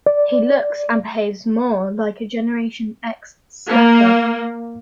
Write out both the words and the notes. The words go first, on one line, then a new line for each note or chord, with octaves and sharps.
He looks and behaves more like a Generation X slacker.
D5
A#3